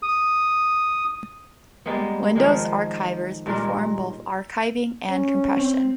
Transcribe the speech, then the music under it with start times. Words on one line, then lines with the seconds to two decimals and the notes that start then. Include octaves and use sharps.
Windows archivers perform both archiving and compression.
0.03 D#6
1.86 G3 G#3 A#3 B3
2.35 D#3 F3 G#3 A#3
3.46 G2 A#2 G#3 A#4
5.10 C#4
5.57 C4